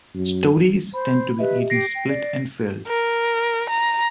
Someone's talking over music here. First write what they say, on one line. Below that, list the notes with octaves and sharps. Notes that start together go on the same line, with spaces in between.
Stotties tend to be eaten split and filled.
F#2
C5 B5
G4 B4 D#5 E5
G4 A#6 C7 D7
G5
D5
A#4
A#5